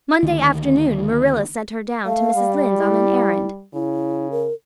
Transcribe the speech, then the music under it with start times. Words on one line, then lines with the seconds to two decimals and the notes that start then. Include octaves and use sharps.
Monday afternoon Marilla sent her down to Mrs. Lynde's on an errand.
0.23 D2 D#3
2.06 A3 F5
2.35 G3
2.78 E4
3.74 C#3 E4
4.31 A#4